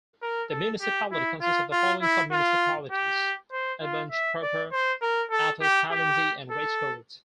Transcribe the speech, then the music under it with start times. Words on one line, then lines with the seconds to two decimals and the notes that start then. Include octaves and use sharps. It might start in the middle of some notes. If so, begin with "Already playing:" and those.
The municipality consists of the following sub-municipalities: Aubange proper, Athus, Halanzy, and Rachecourt.
0.22 A#4
0.51 A4
0.81 G4
1.11 E4
1.42 F4
1.72 F4
2.01 E4
2.31 F4
2.92 G4
3.52 C5
3.81 F4
4.11 E5
4.42 D5
4.72 C5
5.02 A#4
5.31 A4
5.61 G4
5.91 G4
6.51 A4